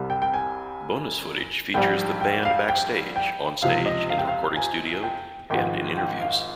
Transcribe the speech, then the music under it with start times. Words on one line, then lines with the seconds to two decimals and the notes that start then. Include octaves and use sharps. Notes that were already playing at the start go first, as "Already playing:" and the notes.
Bonus footage features the band backstage, on-stage, in the recording studio and in interviews.
Already playing: C2 C3 G3
0.10 G5
0.22 G5
0.34 G#5
1.74 A#1 G#2 G3 G5
2.21 G5
2.45 F5
2.69 G5
3.16 G5
3.62 C#2 C3 F3 F5
3.86 D#5
4.10 F5
4.18 G5
4.28 F5
4.56 G#5
5.03 G5
5.50 G#1 G#2 F3 G5
5.97 G5
6.21 F5